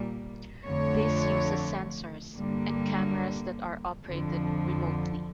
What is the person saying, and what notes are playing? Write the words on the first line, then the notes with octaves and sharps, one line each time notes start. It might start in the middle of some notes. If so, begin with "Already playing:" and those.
This uses sensors, and cameras that are operated remotely.
Already playing: A#2 G3 A#3
F2 D3 A3 C#5
G2 D3 G3 A#3
F2 D3 F3